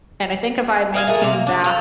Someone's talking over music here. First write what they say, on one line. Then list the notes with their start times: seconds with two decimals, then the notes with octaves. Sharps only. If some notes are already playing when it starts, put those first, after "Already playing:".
And I think if I maintain that,
0.95 D#5 F5 G#5
1.07 A3 G#4 A#4
1.21 C3 F5
1.33 A#3
1.47 D4
1.64 F3 A4